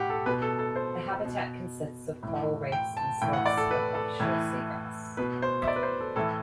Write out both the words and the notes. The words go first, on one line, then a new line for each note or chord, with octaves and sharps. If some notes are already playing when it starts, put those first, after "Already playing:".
The habitat consists of coral reefs and swaths of offshore seagrass.
Already playing: A2 G4 F#5
A4
B2 B4
A4
A4
C5
B2
A2 E3
G5
A5
A2 E3 G5
F#5
D5
A4
B4
A4
A2 E3
B2 B4
C5
E5
D5
B4
C5
A4
A2 E3 A4